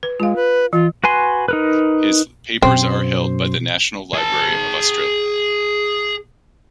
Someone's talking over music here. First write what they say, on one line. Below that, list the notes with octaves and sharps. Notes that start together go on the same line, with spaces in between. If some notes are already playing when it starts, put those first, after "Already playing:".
His papers are held by the National Library of Australia.
B4
G#3 F4 F5
B4
E3 F4
F#4 B4 G#5 C6
D#4 A#4 B4
F#2 B2 C4 C5
G#4 A5